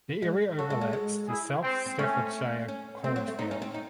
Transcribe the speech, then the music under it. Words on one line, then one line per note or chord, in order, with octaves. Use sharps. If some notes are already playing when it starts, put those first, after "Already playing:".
The area overlaps the South Staffordshire coalfield.
G#3
F#3 F#4 A4
G#3
G#3
G#3
E4 G#4
C4
C4
A3 C#4
C#4
A3 C4
F#3
A3
D#4
C#4
C4
D#4